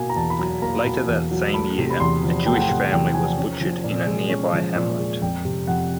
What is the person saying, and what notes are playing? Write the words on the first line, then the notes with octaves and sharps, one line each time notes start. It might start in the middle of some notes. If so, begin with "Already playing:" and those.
Later that same year a Jewish family was butchered in a nearby hamlet.
Already playing: B2 A#3 G#5
A#5
E2 A5
B5
F#3 A#5
A#3 A#5
B2
E2
F#3
A3 B5
C3
B5
E2 C6
F3
A3 G5
F#5
G5
C3 F#5
E2 G5
F3 G#5
C#4
F3
A#2
G#3
C#4
F3
A#2
G#3
F2 G5
C3
F2 F#5